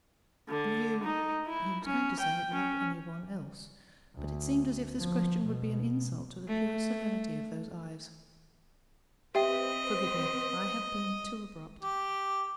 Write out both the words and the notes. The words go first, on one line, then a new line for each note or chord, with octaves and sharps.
'Do you'--he was going to say--'love any one else?' But it seemed as if this question would be an insult to the pure serenity of those eyes. 'Forgive me I have been too abrupt.
D3
D#4
E4
C#4
G5
C#4
D2
F3
B2
A3
C4 G4 B4 C5 D#5 E5 G5
G4